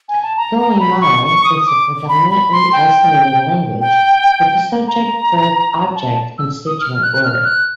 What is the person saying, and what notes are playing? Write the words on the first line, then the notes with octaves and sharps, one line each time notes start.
Goemai is a predominantly isolating language with the subject-verb-object constituent order.
G#5
A5
A#5
A#5
B5
C#6
C#6
D#6
D6
B5
B5
C6
G5
G5
A#5
A5
E6
D#6
F6
F#6
F6
F#6